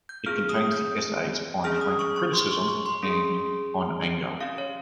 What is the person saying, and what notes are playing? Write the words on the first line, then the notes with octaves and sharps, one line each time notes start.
It contains the essays "On Frank Criticism" and "On Anger".
G6
C4 F4 G#4 F6
D#6
G6
C#4 G#4 F6
D#6
C#6
C#6
C6
C#6
C#6
C6
C#4 G#4
C#4 G4 F5
C#5